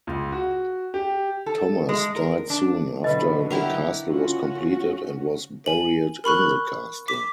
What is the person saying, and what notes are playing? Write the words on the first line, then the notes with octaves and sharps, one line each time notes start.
Thomas died soon after the castle was completed and was buried in the castle.
C#2
F#4
G4
A4
G#3
A#4
D4
B2 D3 F#3 B4 D#5 B5
E4 G4 A#4 F#5
C#4 F4 F#4
G#5 F#7
A#4 B5 C#6 F#6
D6 B6